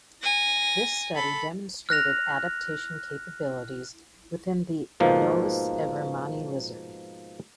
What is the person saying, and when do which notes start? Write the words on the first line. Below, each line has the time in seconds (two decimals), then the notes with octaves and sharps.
This study demonstrated adaptation capabilities within the Anolis evermanni lizard.
0.22 G#5 A#6
1.15 A4 B5
1.89 F6 F#6 A#6 F7
5.00 G#2 B2 F3 A#3